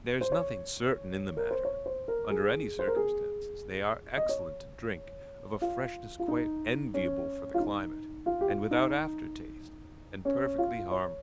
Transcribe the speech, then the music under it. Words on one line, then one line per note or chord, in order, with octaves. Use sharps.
There is nothing certain in the matter. Under any circumstances, they are excellent to drink, of a freshness quite enviable for the climate, and without after-taste, and perfectly harmless.
C5
C#5
A#4
C5
C#5
C5
A#4
G#4
C5
A#4
G#4
D#5
C#5
F4
F4
D#4
C#4
F4
D#4
F4
G4
F4
D#4
C#4
F4
C#5